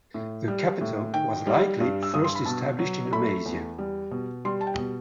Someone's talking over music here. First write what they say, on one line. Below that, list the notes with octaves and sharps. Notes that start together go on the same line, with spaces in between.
The capital was likely first established in Amasia.
A2
G3
A2
D#3 G5
G3
G2
E6
G2 D#6
C6
B5
B2 A5
F#3
A3 B5
E2
G3
B2
G3 C6
A5
G5
B2